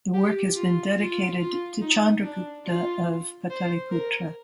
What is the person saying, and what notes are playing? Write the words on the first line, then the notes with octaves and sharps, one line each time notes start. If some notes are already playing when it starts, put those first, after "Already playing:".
The work has been dedicated to Chandragupta of Pataliputra.
G4
F4
F4
F4
D#4
D4
F4
C5
A#4